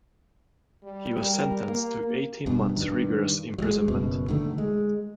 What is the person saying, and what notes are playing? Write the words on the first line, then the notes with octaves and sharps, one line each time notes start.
He was sentenced to eighteen months rigorous imprisonment.
G3
G3 A#4
A#3
G2 B2
G2 D#3
F#3 G#3
F#1 F#2 B2
D3 D#3 A3
G#3